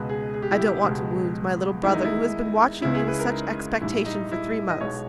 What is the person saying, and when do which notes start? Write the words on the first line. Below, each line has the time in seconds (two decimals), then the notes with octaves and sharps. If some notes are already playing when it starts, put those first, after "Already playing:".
I don't want to wound my little brother who has been watching me with such expectation for three months.
Already playing: C#2 B2 G#3 B4
0.09 G#4
0.34 G#4
0.42 G4
0.51 E4
0.59 G4
0.84 C#2 B2 G#3
1.83 E2 D#3 G#3 E4
1.94 D#4
2.04 E4
2.82 C#2 C#3 G#3 E4
2.95 G#4
3.08 B4
3.19 A#4
3.31 D#4
3.81 A#1 G#2 G3 E4
4.06 D#4
4.32 E4
4.70 D#5
4.81 B1 B2 G#3 C#5